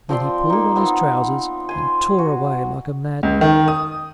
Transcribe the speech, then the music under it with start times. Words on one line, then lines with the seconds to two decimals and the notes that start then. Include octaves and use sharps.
Then he pulled on his trousers and tore away like a madman.
0.09 F3 C4 D5 C6
0.50 A#3 D#4
0.76 B3 C4 D#4 F4
1.69 G#5 C6
2.18 F#4
3.23 C#2
3.41 D#3
3.68 D#6